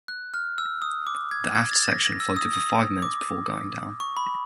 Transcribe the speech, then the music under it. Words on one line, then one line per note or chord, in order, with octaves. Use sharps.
The aft section floated for five minutes before going down.
F#6
F6
E6
D#6
D6
G#6
G#6
A6
A6
A#6
A#6
E6
D#6
D#6
D6
C#6
B5